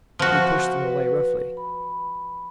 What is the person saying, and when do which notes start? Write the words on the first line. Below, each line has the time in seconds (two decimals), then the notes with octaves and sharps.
But he pushed them away roughly.
0.19 F3 F#4
0.82 B4
1.57 B5